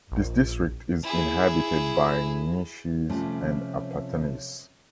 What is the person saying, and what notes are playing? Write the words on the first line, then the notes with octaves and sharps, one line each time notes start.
This district is inhabited by Nyishis and Apatanis.
A#1
E4 G#4
C3 F3 G3 A3 C4 C#4